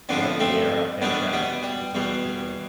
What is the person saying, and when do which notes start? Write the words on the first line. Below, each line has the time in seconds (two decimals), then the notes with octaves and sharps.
"I liked the air out there better," he told her bitterly.
0.09 F2 D3 F3 B3 D4
0.40 A3 C4
1.01 E2 B2 G3 B3 D4
1.33 G3 B3
1.63 G3
1.94 E2 B2 G3